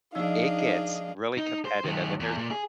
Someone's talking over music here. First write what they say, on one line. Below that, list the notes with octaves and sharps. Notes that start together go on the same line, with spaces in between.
It gets really competitive, and there's
F3 D4 D#4 G#4 D#5 F5 E6
D#4
C5
D#3 F#3
E2
A#2
G#4